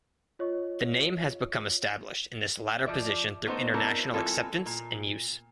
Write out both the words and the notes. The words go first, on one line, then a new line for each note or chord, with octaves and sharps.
The name has become established in this latter position through international acceptance and use.
F4 C#5 D#5 C#6
F3 D5 E5
A3 B3 D#4 C5
C4 D4 E4 F#4 A#4
E3 G#3 A#3 C4 F4 A4
A#2